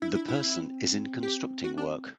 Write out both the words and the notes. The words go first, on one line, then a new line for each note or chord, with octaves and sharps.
The person is in constructing work.
D4 E4
E4
E4
C4
G4
F#4
D4